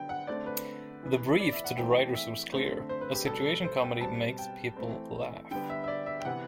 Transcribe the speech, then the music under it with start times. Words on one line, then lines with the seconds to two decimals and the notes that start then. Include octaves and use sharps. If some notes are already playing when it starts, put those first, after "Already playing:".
The brief to the writers was clear - a situation comedy makes people laugh...
Already playing: D3 F#3 B3 G5
0.09 F#5
0.27 D3 A3 C4 D5
0.46 B4
1.03 E3 B3
1.40 D5
1.52 E5
1.64 F#5
1.77 E3 A3 C4 G5
1.96 G5
2.15 E5
2.52 D3 A3 C4
2.89 C5
3.01 B4
3.15 G4
3.26 B2 G3 B3 A4
3.64 C5
3.83 G5
4.01 B2 G3 C4 A5
4.38 G5
4.76 E3 A3 C4
5.51 D3 G3 B3 G5
5.70 E5
5.84 E5
5.88 D5
6.06 E5
6.20 G5
6.25 C3 E3 B3 F#5